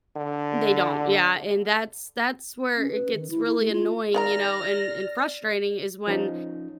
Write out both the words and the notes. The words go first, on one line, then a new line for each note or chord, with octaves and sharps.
They don't, yeah, and that's that's where it gets really annoying, you know, and and frustrating is when
D3
C#4
B4
D#3
E4
E4
A3
F4
D#3 D5 F#5 A#5 F6 A#6
F3 C#4 D#4